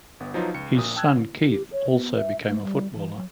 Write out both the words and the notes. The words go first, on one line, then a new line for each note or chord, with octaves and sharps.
His son Keith also became a footballer.
G1 B3
F3 F#3 D#4 F4 B4
C#2 C#7
A#1 A#2 D#6
G5 A5 E6 F#6 G#6
G4
C#5
B3
E5
A3
G3
E3
F#3